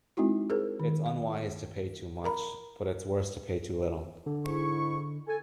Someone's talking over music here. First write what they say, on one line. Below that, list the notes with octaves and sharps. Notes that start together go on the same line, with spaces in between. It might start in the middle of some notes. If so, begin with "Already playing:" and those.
It's unwise to pay too much, but it's worse to pay too little.
G#3 C4 D#4 E4 F#4
G#4 A#4 C5
D#3
F5
A#4 A#5 B5
D3
G#2 E4 C#6
A4 G#5